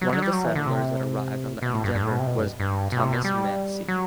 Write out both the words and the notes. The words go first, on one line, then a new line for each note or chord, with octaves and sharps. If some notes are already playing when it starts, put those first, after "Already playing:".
One of the settlers that arrived on the "Endeavor" was Thomas Massey.
F#3
F#3
G3
F#3
E3
D3
C3
B2
A2
G2
G2
A2
B2
C3
B2
G2
G2
B2
C3
B2
G3
F#3